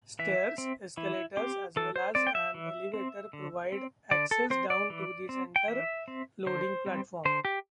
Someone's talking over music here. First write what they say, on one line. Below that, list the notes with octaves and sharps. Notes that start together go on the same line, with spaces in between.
Stairs, escalators, as well as an elevator provide access down to the centre-loading platform.
E3 E5
C4
E3 E4
C4 G4
E3 A4
C5
C4 D5
G5
E5
E3
C4
D3
C4
D3 D5
A4
C4 C5
D5
E3
C4
G5
E3 E5
C4
D3 C5
G3 C4
D3 C5
G4